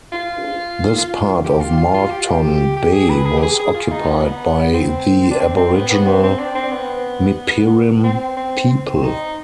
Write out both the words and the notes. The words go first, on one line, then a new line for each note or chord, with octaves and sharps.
This part of Moreton Bay was occupied by the Aboriginal Mipirimm people.
F4
G4
F4
F4
F4
G4
F4
G4
G4
G#4
B4
G#4
G4
G#4
G#4
F4
D#4
B3
C4
D4
C4
C4
B3
B3
C4
C4
D4
C4
B3
C4
C4
C4
D#4